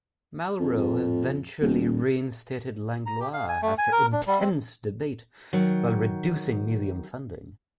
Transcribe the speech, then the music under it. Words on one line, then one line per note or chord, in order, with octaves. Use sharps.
Malraux eventually reinstated Langlois after intense debate, while reducing museum funding.
F2
F2
D#1
A#5
G4
F5
G#5
A3
G#5
A#4
D4
G3
C4
D#3 F#3